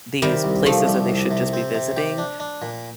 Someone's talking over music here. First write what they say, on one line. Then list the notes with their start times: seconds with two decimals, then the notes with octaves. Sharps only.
these places that they should just be visiting.
0.22 C3 D#3 G3
0.44 C2
0.66 C2 F3 A3
0.88 G3
1.09 C2
1.31 C3
1.53 C4
1.74 C3
1.96 G4
2.18 D4
2.40 D4
2.62 A#2